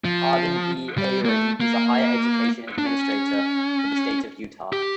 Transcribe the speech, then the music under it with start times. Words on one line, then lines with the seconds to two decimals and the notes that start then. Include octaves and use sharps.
Harden B. Eyring is a higher education administrator for the State of Utah.
0.05 F3
0.98 G3
1.25 A#3
1.29 A3
1.61 A#3
2.78 D4
2.86 C#4
4.73 G4